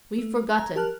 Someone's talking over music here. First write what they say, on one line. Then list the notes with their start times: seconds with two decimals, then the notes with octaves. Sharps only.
We've forgotten.
0.18 A3
0.55 A#5 G#6
0.76 G4 A#4 A5 F6 F#6